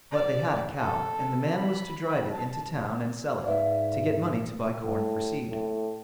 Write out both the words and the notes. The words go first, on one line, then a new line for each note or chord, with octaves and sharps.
But they had a cow, and the man was to drive it into town and sell it, to get money to buy corn for seed.
D5
A4
B5
A5
G#2 B4 D5 E5 F5
A2
A2